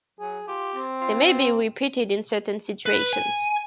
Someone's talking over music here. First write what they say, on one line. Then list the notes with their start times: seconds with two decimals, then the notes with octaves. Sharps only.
They may be repeated in certain situations.
0.20 F#3 G#4
0.48 F4 G4
0.75 C4
1.01 F4
2.86 B4
3.13 G#5